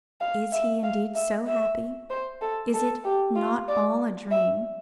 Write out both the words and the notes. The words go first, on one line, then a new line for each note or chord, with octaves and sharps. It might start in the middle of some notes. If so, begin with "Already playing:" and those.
Is he indeed so happy; is it not all a dream?
F5
E5
F5
E5
E5
C5
A4
A4
G4
F4
D5
E5